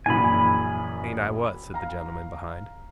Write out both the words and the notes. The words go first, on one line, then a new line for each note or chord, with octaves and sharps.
'Ain't I what?' said the gentleman behind.
A#1 F#2 E3 G#5 B5
F5 A#5